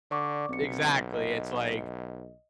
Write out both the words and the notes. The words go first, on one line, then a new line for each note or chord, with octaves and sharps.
exactly, it's like,
D3 D5 C#6 D6
B1 C4 C#7
D#5